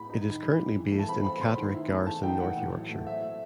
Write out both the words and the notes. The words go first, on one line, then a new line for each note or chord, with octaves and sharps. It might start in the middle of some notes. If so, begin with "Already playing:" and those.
It is currently based in Catterick Garrison North Yorkshire.
Already playing: A2 B5
D#4
D#3
G3
E3
E3
A3
A5
C4 B5
C4 B5
C4 C6
D#3
E4
A3
E3 A5
D#4 G5
E3 F#5
A2
F#3
A3
C4 E5
A3